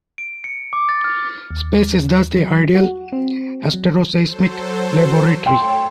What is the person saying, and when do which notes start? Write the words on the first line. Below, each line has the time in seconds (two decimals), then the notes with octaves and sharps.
Space is thus the ideal asteroseismic laboratory.
0.18 D7
0.44 C#7
0.73 D6
0.89 A6
1.04 F6
1.51 D#2
2.37 F#3
2.75 F#4
3.12 C4
3.74 F#3
4.24 F#3 A4 C5
5.46 A3 A4 C#5 G5 C6